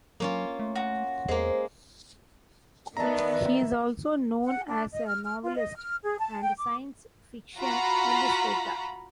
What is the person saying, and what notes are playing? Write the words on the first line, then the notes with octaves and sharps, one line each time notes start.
He is also known as a novelist and science fiction illustrator.
F#3 A#3 C#4 F4
A3
F#4
E2 G#3 A#3 C5
D#3 B3 D5 E5 A5 A#5
F#5
D4
D#5
F6
F6
F4
D#5
F6
G#4
A5
G5
D6
F4 F#4 A#5 B5